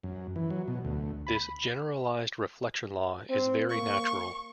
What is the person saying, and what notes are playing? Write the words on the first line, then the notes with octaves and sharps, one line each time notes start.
This generalized reflection law is very natural.
F#2
E3
F#3
B2
D2
B5
C4
A#3 C#6